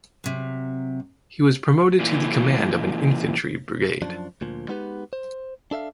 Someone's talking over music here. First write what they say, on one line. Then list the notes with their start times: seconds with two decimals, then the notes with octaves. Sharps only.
He was promoted to the command of an infantry brigade.
0.24 C3 F#3
2.00 A#2 E3
4.02 F#2 F3 D4
4.41 D2 A#2 F3
4.68 G3 G#3 B3 D#4 G4 B4
5.13 C5
5.71 D4 A4 E5 F5